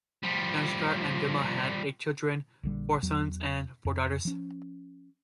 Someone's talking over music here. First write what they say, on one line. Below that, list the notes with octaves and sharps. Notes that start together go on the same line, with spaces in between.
Dayashankar and Vimla had eight children, four sons and four daughters.
F3 G3
A#1 D3 G3
E2 F#3
F2
F3 C#4